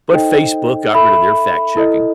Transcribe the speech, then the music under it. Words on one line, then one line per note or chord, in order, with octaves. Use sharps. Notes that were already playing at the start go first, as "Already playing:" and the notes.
but Facebook got rid of their fact-checking,
D#4 A4 C5 D#5 G5
A4 E5 B5
E4 A4 D#5